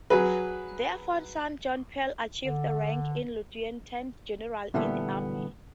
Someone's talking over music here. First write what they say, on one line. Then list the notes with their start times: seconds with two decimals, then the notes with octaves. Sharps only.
Their fourth son, John Peel, achieved the rank of Lieutenant-General in the Army.
0.10 F#3 G#4 B4
2.44 D3
4.74 A#2 D3 E3 G3 A3 B3